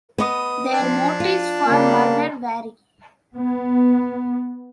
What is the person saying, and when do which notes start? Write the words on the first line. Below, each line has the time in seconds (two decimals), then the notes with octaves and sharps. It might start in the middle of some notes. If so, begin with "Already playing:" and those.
Their motives for murder vary.
0.18 B3 D#5 D#6
0.74 F3 D4 G#6
1.20 F4
1.66 C#3 G3 A#3
3.36 B3